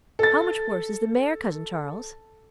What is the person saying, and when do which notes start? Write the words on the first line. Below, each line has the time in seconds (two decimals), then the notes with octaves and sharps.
"How much worse is the mare, cousin Charles?"
0.19 A4 A6